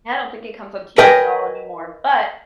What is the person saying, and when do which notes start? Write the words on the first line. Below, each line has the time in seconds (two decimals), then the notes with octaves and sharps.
I don't think it comes on TV at all anymore, but
0.98 A#4 B4 D#5 G5 G#5